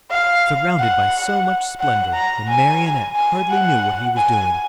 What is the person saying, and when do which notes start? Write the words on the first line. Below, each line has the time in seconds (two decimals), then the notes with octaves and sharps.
Surrounded by so much splendor, the Marionette hardly knew what he was doing.
0.11 F5
0.79 F#5
1.80 F#5
2.14 A#5
2.48 G#5
3.16 G#5
3.50 F#5
4.17 G#5